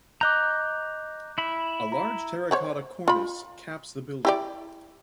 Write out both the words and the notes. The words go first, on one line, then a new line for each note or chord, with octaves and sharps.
A large terra cotta cornice caps the building.
D#5 A#5 D6 F#6 G6
E4 B5
A#5
C5 C#5 F#5
F4 B5
E4 G4 D5